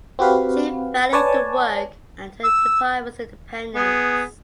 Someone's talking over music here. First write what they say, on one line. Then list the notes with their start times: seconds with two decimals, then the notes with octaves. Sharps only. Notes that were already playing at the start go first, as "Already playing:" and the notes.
She valued the work and her departments Independence.
0.19 C4 F#4 G4 B4 F5
1.13 B4 C#5 D5 G#5 A5
2.43 E6
3.75 B3 G#4